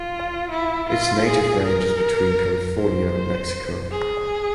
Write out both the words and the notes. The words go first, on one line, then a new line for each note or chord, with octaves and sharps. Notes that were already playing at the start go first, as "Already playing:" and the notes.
Its native range is between California and Mexico.
Already playing: F4
E4
F4
G#4
A#4
C5
G#4